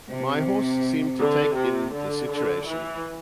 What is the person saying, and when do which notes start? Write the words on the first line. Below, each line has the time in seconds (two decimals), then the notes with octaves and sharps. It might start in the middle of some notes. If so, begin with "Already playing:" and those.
My horse seemed to take in the situation.
0.10 C3
1.20 D3
1.57 C3
1.93 D3
2.30 D3
2.67 E3